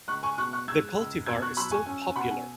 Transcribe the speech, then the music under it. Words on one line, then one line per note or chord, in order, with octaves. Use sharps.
The cultivar is still popular.
C#2 C#6 F#6
G#5 C#6
B2 C#6 F#6
C#6 F#6
G#3 E6 G#6
C#2
B2 E6 G#6
C#6 F#6
F#3 B5 E6
G#5 C#6
C#4 G#5
G#5
B2 F#5 B5
G#5